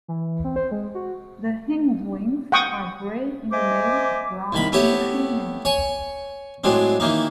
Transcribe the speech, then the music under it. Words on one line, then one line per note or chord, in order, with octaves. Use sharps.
The hindwings are grey in the male, brown in the female.
E3
C4
C5
G#3
F#4
F#5 G5 C#6 D#6
C5 D#5 E5 G#5 D6
C2 D#3 B5
A3 B3 E4 G4 C#5
C#5 G#5 C#6
A2 F#3 G#3 C4 D4
D#3 E3 A#3 D#4